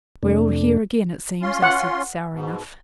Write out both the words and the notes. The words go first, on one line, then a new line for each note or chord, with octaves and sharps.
'We're all here again, it seems,' I said, sour enough.
F2 C3 A3 D4
C#4 F4 C6
F#5
G#2 B2